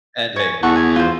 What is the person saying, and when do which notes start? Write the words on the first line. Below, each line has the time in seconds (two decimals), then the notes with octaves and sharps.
And, hey. You know?
0.36 C#5 G#5
0.63 E2 A4 F#5 C#6
0.76 G#5
0.96 F4 C5